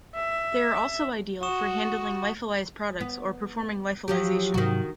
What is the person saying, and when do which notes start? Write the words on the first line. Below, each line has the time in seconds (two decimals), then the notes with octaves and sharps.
They are also ideal for handling lyophilized products or performing lyophilization.
0.15 E5
1.43 F#4 C#6 D#6 E7
3.01 B3
4.08 F3 F#3 G4
4.54 G#2 C3 D#3 F#3 F#4